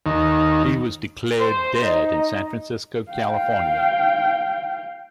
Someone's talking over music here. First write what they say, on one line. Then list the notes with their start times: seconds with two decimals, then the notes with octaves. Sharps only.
He was declared dead in San Francisco, California.
0.06 D#2
1.39 C5
1.85 D#4
3.12 F5 G5